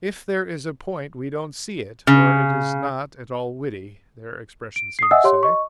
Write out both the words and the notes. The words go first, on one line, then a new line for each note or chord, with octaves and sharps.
"If there is a point we don't see it, or it is not at all witty," their expressions seemed to say.
C#3
D7
D#6 C7
D#5 E5 F#5 G#5 E6
G4 C#5 C6
D#5 C#6